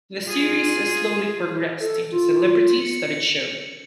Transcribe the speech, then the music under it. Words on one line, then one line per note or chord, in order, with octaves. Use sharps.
The series has slowly progressed into a celebrity-studded show.
F4 G#4
A4
F4
C#7